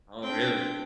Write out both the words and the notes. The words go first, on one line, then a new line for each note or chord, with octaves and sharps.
Oh, really?
C4 D4 G5